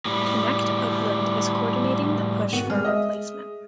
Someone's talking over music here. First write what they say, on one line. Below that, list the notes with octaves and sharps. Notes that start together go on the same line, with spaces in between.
ConnectOakland is coordinating the push for a replacement.
A2 G3
G#1 B3 F#4 D#7
G#3 F6
D#5 E5